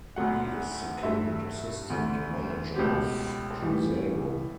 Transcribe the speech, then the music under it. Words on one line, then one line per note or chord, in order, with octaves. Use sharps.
He is the current assistant manager of Cruzeiro.
D2 D3 F#3 A3 F#5
G2 F#3 A3 E5
D2 D3 A3
C#2 B2 A3 G4
A2 E3 G3